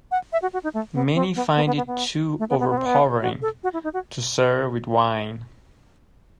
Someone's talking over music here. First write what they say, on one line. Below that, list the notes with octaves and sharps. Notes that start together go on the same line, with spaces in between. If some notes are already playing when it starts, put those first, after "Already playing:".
Many find it too overpowering to serve with wine.
F#5
E5
F#4
F#4
D#4
A3
B3
C4
B3
B3
B3
B3
B3
A3
B3
B3
B3
C4
B3
F#4
A4
F#4
E4
D#4
F#4